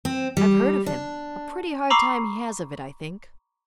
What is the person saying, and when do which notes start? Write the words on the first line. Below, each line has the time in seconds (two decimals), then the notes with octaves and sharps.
"I've heard of him; a pretty hard time he has of it, I think."
0.05 C4
0.37 G3
0.86 D4
1.90 A#5 B5 C#6 D6 E6 C7